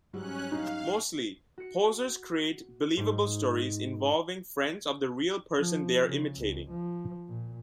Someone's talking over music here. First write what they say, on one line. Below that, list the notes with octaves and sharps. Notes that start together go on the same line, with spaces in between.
Mostly, posers create believable stories involving friends of the real person they are imitating.
G#2 F#3 G3 C#4 F#6
D#4 F5
F#4 C#7
G#2 D#4
F3
C#3
C#2
F3
A#2